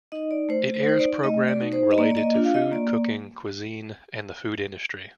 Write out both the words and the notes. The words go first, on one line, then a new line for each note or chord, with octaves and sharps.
It airs programming related to food, cooking, cuisine, and the food industry.
D#4 D#5
D5
A3 C5
C5
D#4 C5
D5
A3 D#5
D5
D#4
C5
D#5
A#3 D5
D5
D#5
D4 F4
F5
D#5
A#3 D5